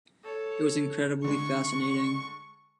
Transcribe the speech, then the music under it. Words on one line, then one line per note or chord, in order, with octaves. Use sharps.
It was incredibly fascinating.
A4 C#5
D3 G#3 C#6